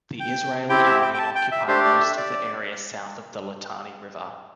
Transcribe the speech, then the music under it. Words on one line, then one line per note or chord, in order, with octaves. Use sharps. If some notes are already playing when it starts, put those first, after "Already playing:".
The Israeli Army occupied most of the area south of the Litani River.
G5
C4 E4 G4 G5
E5
G5
G5
A5
G5
E5
A3 D4 G4 C5
D5
E5
D5